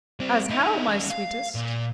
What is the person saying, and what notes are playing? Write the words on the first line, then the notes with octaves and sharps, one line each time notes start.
"As how, my sweetest?"
G3 C4
D#4 E4
G3 C#4
F5
A#2